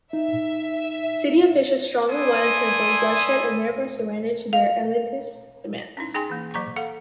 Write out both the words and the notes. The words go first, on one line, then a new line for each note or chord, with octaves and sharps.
City officials strongly wanted to avoid bloodshed and therefore surrendered to their elitist demands.
D#4 E5
E4 A4 D5 G#5 C6 D#6
F5
C#4 D#4 E4
D#4 G#4 G5 G#5 C6
E3 A#3
F#3 A#3 C5 A#5 C#6
A4 F5 F#5